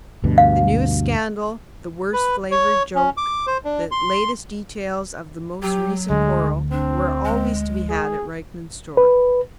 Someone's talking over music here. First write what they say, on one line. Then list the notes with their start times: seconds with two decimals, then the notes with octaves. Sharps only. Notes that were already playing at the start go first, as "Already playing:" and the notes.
The newest scandal, the worst-flavoured joke, the latest details of the most recent quarrel, were always to be had at Rykman's store.
0.24 D2 G2 B2
0.38 F5
2.13 B4
2.51 C#5
2.95 C#4
3.17 D6
3.47 C5
3.65 D4
3.91 C6
5.63 F#3 G4
6.10 D2 D3 G#3
6.72 C4 D4
7.25 G#3
7.89 G#4
8.97 B4